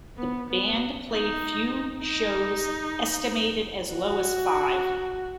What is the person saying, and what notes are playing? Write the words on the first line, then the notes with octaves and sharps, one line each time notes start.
The band played few shows, estimated as low as five.
B3
B3
D#4
D#4
F#4